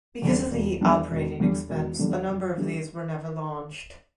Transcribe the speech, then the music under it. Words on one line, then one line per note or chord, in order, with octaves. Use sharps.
Because of the operating expense, a number of these were never launched.
E2 D3 G3 D4
E1
E2 D3 G3 D4
E1
E2 D3 G3 D4
E1
E2 D3 G3 D4
F#2
D3 G3 D4 G4